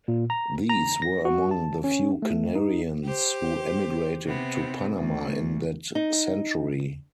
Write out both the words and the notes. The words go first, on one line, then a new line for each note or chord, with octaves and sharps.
These were among the few Canarians who emigrated to Panama in that century.
A#2
A#5
A#5
A#6
F#4
A5
C#4
A3
D#4
G4 C5
C3 B3 C4
D2
D#4